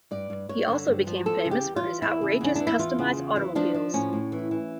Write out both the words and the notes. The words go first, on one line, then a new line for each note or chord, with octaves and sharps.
He also became famous for his outrageous customized automobiles.
G2 D5
G2
G2 C#5
D3
G2
F3
E2 A4
C#3
G4
E2
F4
E3
E2 E4
C#3
E2 C#4
E3 D4
E4
E2 F4
C#3
E2
E3
F3 D4
F3
A2 C#4
A2
E3
E3